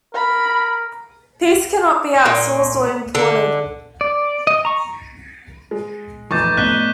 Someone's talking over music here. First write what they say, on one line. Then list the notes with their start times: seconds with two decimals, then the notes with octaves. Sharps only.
Peace cannot be outsourced or imported.
0.15 A#4 B5
2.25 A#2
3.15 D3
4.01 D5
4.47 D#5
4.65 A#5 C#6
5.71 G#3
6.31 F1 F2 A#2 E3 C#6 D6 G6 A6
6.57 A2 B3 D4 D#5 F#6 B6 G7